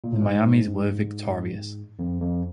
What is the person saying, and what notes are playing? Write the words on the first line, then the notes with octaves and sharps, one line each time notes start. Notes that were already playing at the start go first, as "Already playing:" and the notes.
The Miamis were victorious.
A#2
A2
G#2
F2
F2